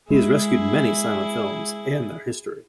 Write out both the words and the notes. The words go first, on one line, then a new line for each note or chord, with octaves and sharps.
He has rescued many silent films and their history.
G#3 E4 G#4